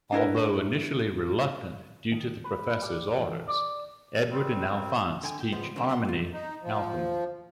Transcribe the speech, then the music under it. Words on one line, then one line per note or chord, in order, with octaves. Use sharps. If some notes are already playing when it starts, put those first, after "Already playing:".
Although initially reluctant due to the Professor's orders, Edward and Alphonse teach Armony alchemy.
D4 E4 A#4 B4
D#3
B4
G3
E3
D5
F#2 G3 C4
D3 G5 G#5
G5
C#3 E3 F3 G3 G#3 B3
D3 F#3 A3 A#3 C4
D#2 B3 F#5 B5 C6
A#3 F4
D#4
F3